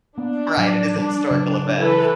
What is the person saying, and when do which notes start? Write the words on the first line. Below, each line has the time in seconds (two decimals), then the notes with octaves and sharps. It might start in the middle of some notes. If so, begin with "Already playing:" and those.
Right, it is a historical event.
0.18 A#3 B3 D4
0.57 A2 F3 F#3
0.95 F3 G3
1.31 C#3 F#3
1.78 E3 A4 B4